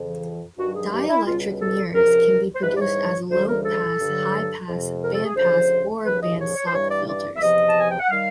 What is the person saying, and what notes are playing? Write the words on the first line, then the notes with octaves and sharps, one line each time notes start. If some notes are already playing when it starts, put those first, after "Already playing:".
Dielectric mirrors can be produced as low-pass, high-pass, band-pass, or band-stop filters.
Already playing: F2 C#3 E3
G2 D#3 F#3 F#4
G#4
G4
E4
C#2 B2 G3 F4
A4
C#2 C3 F3 A#4
C5
G#2 E3 G3 B4
D5
C#5
D2 C#3 E3 G3 C5
A#4
A4
G2 D3 F#3
F2 C3 F3
A#4
A4
G#4
D2 C#3 F3 C5
D#2 C#3 F3 B4
D#5
C#5
C#5
C5
G2 E3 G3 C#5
D5
D5
E5
E2 C3 F3 D#5
A5
G#5
G5
F#5
D#3 G3 F5